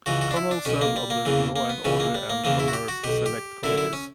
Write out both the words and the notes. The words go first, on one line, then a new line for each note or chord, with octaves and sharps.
Connell served on the Law and Order and Commerce select committees.
C#2 C#3 E3 F#4
F#4
D4
E4
D4
B1 B2 C#4
A#3
G3
A#3
E2 C#3 E3
A#3
B3
C#2 C#3 E3 C#4
A#3
G3
A#3
E2 C#3 E3 A#3
E4
F#4
G4
F#4
B1 B2 G4
G4
F#2 D3 E4
E4
C#4